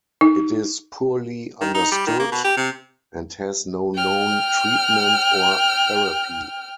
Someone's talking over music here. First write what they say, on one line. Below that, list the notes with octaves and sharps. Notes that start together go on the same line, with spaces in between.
It is poorly understood and has no known treatment or therapy.
D#4
D#3
D#4
G3
D#3
A#3
B2
G4
C3
G5 F6